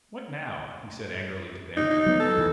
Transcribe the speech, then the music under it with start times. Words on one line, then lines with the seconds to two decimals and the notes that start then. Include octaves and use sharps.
"What now?" he said angrily to them.
1.77 D#4
1.90 D#4
2.06 F#3 B3
2.20 A4
2.37 E2 E3